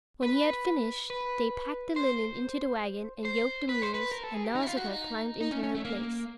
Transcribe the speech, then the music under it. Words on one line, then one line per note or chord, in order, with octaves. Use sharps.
When he had finished, they packed the linen into the wagon, and yoked the mules, and Nausicaa climbed into her place.
B4
B4
C5
C5
B4
C5
B4
A#4
A4
G#4
G4
D#4
E4
F4
F#4
D#4
D#4
C#4
C#4
A3
A#3